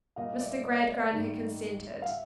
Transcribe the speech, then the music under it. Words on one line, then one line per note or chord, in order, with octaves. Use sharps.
Mr. Gradgrind had consented.
A#2 G3 D#5 F5
D5 E5
E5
C#5 D#5
D5 E5
G#2 D#3 G3
F5
E5 F#5